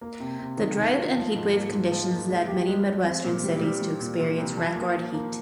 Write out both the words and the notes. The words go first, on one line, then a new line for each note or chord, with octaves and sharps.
The drought and heat wave conditions led many Midwestern cities to experience record heat.
A#3
C3
C3
D#3
D#3
F4
F3
G#2
A#3
G#2
F3
A#3
G#3
G4
G#3
G#3
C4
A#2
G3
G3
G3
A#2
A#2
C2
F3
A#3
A#3
A#3